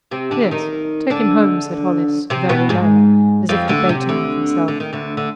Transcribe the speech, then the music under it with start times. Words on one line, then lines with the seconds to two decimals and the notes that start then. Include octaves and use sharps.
"Yes, take him home," said Hollis, very low, as if debating with himself.
0.11 C3 C4
0.31 D3 D4
0.51 D#3 D#4
1.10 D3 D4
2.30 C3 C4
2.49 B2 B3
2.69 G#2 G#3
3.49 F2 F3
3.69 D2 D3
3.89 C3
4.09 D2 D3
4.68 D3
4.80 D#3
4.93 D2 D3
5.17 D3